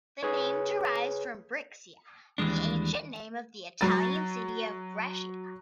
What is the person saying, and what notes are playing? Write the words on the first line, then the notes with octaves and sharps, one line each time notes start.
The name derives from "Brixia", the ancient name of the Italian city of Brescia.
G#4 B4 C#5
D#2 E3 G3 G#3 D4
F#3 A6